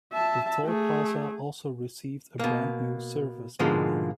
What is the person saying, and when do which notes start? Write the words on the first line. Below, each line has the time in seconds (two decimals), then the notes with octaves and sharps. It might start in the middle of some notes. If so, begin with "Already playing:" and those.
The toll plaza also received a brand-new service building.
0.13 E5 A5
0.64 A3 G#4
2.39 B2 A#3
3.59 G#2 B2 D3 F3 G#3 A#3